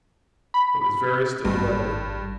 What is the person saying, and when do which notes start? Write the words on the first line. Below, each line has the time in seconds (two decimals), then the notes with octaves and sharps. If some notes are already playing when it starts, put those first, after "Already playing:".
It was very still weather.
0.54 B5
1.45 G#1 G2